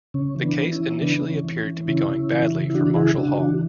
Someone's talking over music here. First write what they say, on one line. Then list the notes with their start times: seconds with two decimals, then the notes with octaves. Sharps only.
The case initially appeared to be going badly for Marshall-Hall.
0.14 C#3 C#4
0.36 E3
0.43 B3 D4
0.58 E3
0.72 C#4 E4
0.80 E3
1.01 C#3 B3 D4
1.22 E3
1.30 C#4
1.45 E3
1.58 C#4
1.66 E3
1.88 C#3 C#4 E4
2.09 C#3
2.32 E3
2.53 C#3
2.70 E4
2.74 E3 D4 F#4
2.96 C#3 E4 G#4
3.18 C#3 D4 F#4
3.39 E3 D4 F#4